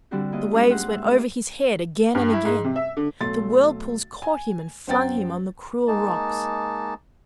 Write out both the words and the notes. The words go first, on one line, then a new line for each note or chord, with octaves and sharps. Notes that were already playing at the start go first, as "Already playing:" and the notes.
The waves went over his head again and again, the whirlpools caught him and flung him on the cruel rocks.
D3 G3 C4 D4 F#4 G4
A#3 E4 F4 D#5
G#3 C#4 D4 F4
G#2 G4 F#5 C6
E5
A3 C#4
G2
E4
G#2
C3
E5
D3
B1 A3 C6 A6
G#5
F#2 C5 F#5 G5 A#5 A6
G#3 A#3 D#4 A5